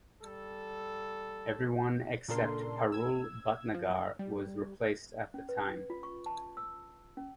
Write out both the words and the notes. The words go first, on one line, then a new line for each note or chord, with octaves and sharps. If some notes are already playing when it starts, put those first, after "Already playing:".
Everyone except Parul Bhatnagar was replaced at the time.
G3 A4
A#2 C#3 D4 A4 A#4 C6
E6 G#6
F3
F#2
G3
C#4
B4
F4
C#6
A5
E6
C#4